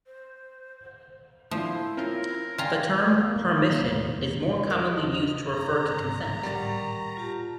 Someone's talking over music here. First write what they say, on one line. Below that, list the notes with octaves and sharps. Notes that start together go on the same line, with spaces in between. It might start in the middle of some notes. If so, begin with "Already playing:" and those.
The term "permission" is more commonly used to refer to consent.
C5
A#2 D3 F3 A3 E4 C5
C4 C#4 F4 A#4
C#3 F4 D5 G5 G#5 A#5 C6
A#3
F#4 G4 A#4 D#5
A#5
G3 A#4 F#5 C#6 A6
F4 G4 A5